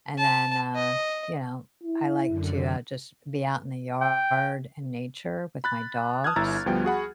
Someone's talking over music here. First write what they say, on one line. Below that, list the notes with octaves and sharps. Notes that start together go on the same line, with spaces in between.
and then, uh, you know, I like to, uh, just be out in the yard and nature with my dogs,
A5
D#5
E4
F#2 D3
G5
B5 F#6 A6
A5 D#6 F6 F#6 G#6
G1 E4 A#5 E6 A6
D2 F3 G3 B3 G5
F#4 G#4 F#5 B5